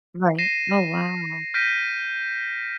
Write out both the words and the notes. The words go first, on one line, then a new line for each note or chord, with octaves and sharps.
Right. Oh, wow.
A#6 C7 D#7 E7
F6 G6 A#6 B6 D7 D#7